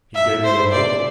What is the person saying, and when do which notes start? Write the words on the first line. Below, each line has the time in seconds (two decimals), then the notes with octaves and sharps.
"He gave you a hope?"
0.15 E5
0.44 C5
0.72 D5